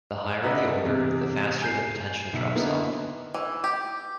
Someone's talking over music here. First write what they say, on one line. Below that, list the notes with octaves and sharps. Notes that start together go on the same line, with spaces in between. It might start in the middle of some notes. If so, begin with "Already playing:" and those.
The higher the order, the faster the potential drops off.
D4 B4 D#5 E5 F#5 A#5
E2 C3
G#5 G6 C7
B1 E5
D3 A#3 B3 D#4 E4
E3
G4